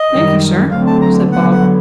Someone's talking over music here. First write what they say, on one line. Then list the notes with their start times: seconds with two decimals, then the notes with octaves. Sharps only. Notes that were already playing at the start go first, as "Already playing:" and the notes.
'Thankee sir,' said Bob.
Already playing: D#5
0.12 F#2 D#3 G3
0.71 D3 F#3 A3 C4 F5
0.87 A5
1.02 A#5
1.32 D3 F#3 B3 F#5
1.51 F#5